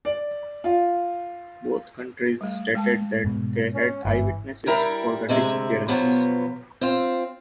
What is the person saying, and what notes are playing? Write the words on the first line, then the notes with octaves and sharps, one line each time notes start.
Both countries stated that they had eyewitnesses for the disappearances.
D5
F4
G3 A3
G#3 G5 A5
G#2 B2
C#4
G1 G#2 E3
G3 E4 A#4 G5 G#5
D2 C3 G#3 E5
B2 F3 F#3 B3
C4 F4